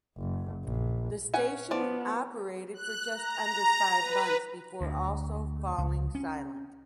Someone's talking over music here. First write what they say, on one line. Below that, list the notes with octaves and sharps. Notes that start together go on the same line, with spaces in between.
The station operated for just under five months before also falling silent.
F#1
A#1
C#4 F#5 G#5
F3 B3 D5
F#6
A#5
B4
D2
C#2
C#4